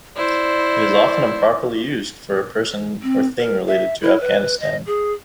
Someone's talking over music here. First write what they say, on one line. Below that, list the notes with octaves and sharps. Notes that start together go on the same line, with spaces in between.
It is often improperly used for a person or thing related to Afghanistan.
E4 C5 D5
C4
A#4
E5
E4
B4
D#5
G#4